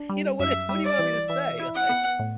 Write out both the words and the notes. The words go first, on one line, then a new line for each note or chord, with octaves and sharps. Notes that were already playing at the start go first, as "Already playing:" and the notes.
you know, what you what do you want me to say, like,
Already playing: D4
G3
F#2 E5
G3
D5
E3
E3 E5
E4
F#5
B3
A2